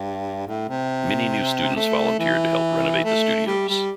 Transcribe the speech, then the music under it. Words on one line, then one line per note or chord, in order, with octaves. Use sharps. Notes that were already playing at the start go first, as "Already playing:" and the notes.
Many new students volunteered to help renovate the studios.
Already playing: G2
A2
C3
A3
E3
A3
G3
G3